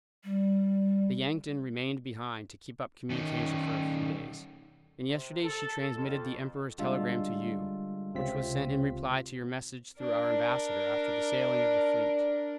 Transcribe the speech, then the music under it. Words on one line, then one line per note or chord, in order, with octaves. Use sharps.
The Yankton remained behind to keep up communication for a few days, and yesterday she transmitted the Emperor's telegram to you, which was sent in reply to your message through our Ambassador after the sailing of the fleet.
G3
D#3 C#4 D#4
C3
A4
F2
D3 G3 G#3 F4 A4
C#2 C3 C4 F4 B6
D4 A#4